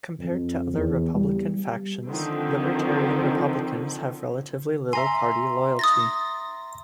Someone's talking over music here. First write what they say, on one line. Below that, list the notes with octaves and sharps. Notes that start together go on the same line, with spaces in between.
Compared to other Republican factions, libertarian Republicans have relatively little party loyalty.
F2
E2
G3
D3 D#3 F3 C4
E5 G#5 A#5 C6
D#6 A6 A#6